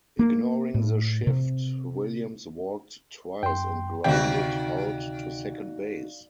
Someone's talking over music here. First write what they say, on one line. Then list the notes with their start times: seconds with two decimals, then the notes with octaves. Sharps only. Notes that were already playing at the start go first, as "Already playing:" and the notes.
Ignoring the shift, Williams walked twice and grounded out to second base.
0.19 A#3
0.74 A2
1.27 C3
3.43 F#2 G5 C6
4.04 D2 C3 D#3 F#4 D5 F5 G5